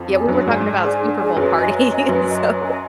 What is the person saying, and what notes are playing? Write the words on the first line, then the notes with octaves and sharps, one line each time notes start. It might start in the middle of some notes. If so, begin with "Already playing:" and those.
Yeah, we were talking about Super Bowl parties, so,
Already playing: F2 F3
G#4 D5 G#5
F#2 F#3 D4
G#2 G#3 G#4 D5 G#5
D4
G#4 D5 G#5
D4
G#4 D5 G#5
F#2 F#3 B4
D#5 G#5
B4
D#5 G#5
F#2 F#3 B4
D#5 G#5
B4
D#5 G#5